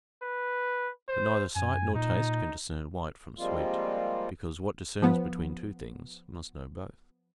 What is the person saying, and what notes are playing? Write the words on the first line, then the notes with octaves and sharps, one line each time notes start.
But neither sight nor taste can discern white from sweet: because what discerns between two things must know both.
B4
C5
F#2 G#5
A#2 D#4
F3 G3 G#3 A#3 C4 F4
F3 B3